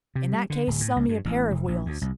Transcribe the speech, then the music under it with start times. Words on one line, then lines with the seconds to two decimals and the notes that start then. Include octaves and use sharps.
"In that case, sell me a pair of wheels."
0.15 C3
0.33 G3
0.50 D3
0.67 D1
0.80 A2
0.96 C#2
1.09 G2
1.25 A1
1.51 F1
1.68 A#1
1.86 D2
2.01 C2